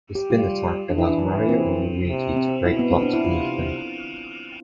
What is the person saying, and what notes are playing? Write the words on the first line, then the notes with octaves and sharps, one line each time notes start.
The spin attack allows Mario or Luigi to break blocks beneath him.
G4
G3 F4
E3 D4
E4
D4
E4
C4
C3
C4
B2 E4
B3
C4
D4
E4
C3 F4